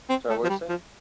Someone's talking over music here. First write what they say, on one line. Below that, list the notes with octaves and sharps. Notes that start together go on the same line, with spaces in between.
Sorry, what were you saying?
C4
A3
F3
G3
F3